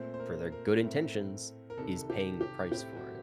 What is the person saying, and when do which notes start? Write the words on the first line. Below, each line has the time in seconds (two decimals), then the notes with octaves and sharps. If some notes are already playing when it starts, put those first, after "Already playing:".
for their good intentions is paying the price for it.
Already playing: A#2 A3 C4 C5
0.14 C5
0.20 A#4
0.52 A#4
0.84 A2 A3 C4
1.70 A#4
1.77 C2 C3 D#3 A4
2.10 G4
2.41 G4
2.72 A2 A3 C4 G4
2.96 F#4